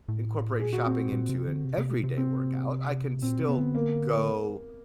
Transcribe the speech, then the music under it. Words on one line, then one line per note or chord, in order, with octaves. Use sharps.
incorporate shopping into an everyday workout, I can still go
A2
A#2 G#4
F#4
C4
A#2
C3
D3
C3
C3
B2
C3
C4
A#2 C4
C3
B3
D3
A#3